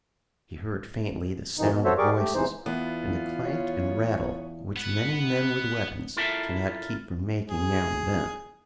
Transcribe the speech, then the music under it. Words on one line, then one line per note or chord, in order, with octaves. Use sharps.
He heard faintly the sound of voices, and the clank and rattle which many men with weapons cannot keep from making now and then.
F2 C3 D#3 E3 D#4
B2
F#4 A4 C5 C#5 E5
G4 G#4 A#4 D5 C#6 D6
A3 G4
E2 C3 E3 G#3 D#4 C5
E2 B3 F4
C#5
B3 F#5
E4 F4 A4 A#4 E5 A5
G#4